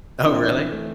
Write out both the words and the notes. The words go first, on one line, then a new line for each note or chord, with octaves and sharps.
Oh, really?
C4 D4 E4
E3
E3
A3